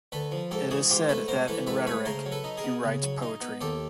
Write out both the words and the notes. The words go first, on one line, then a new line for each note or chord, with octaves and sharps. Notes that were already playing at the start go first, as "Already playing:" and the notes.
It is said that in rhetoric, he writes poetry.
D2 A4 B4
F3
G#2 G4 A4
E3 F#4 G#4
G#2 F4 G4
A3 A4 B4
G#2 A#4 C5
E3 A4 B4
G#2 A4 B4
A3 B4 C#5
C#3 A#4 C5
F#3
A4 B4
D#4
G#4 A#4
B3
C#3
F#3
D#4
B3
D#2 G4 A4